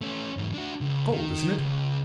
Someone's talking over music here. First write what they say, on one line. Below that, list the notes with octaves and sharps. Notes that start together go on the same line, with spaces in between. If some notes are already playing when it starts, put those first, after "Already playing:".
"Cold, isn't it?"
A3 C#4
E2 G#2
D4 F#4
C#2
D#3
C#2